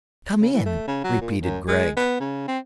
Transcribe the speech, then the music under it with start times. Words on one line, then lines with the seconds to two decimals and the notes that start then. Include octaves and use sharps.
"Come in," repeated Gregg.
0.41 C#3
0.53 E3
0.66 A3
0.87 C#3
1.04 F#3
1.21 A#2
1.42 F#2
1.68 G#3
1.96 B3
2.20 C#3
2.48 C4